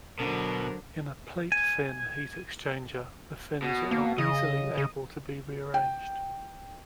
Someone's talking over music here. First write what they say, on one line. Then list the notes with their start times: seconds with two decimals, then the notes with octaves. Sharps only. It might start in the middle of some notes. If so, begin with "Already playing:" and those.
In a plate-fin heat exchanger, the fins are easily able to be rearranged.
0.19 B2 D3 F#3 A#4 C5
1.52 G#5
3.62 B2
3.91 A#3
4.18 C#3 D#5
4.78 C#3
5.74 G5